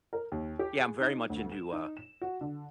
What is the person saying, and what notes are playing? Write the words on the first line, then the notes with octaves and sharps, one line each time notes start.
Yeah, I'm very much into, uh,
A#4
D#2
G4
G#4
D#4
D2
E7
D#4
E7
F#4
D3